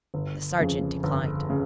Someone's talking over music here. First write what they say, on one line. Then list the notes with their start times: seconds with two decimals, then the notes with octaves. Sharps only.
The sergeant declined.
0.14 G1
0.59 F2 C#3
1.04 G1
1.50 C#3